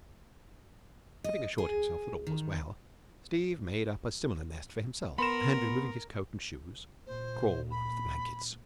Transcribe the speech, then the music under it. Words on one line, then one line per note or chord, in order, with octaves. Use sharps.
Having assured himself that all was well, Steve made up a similar nest for himself, and, removing his coat and shoes, crawled under the blankets.
D#5
G#4
D#3
B3 A#4 B5 C6 E7
A#2 C5
B5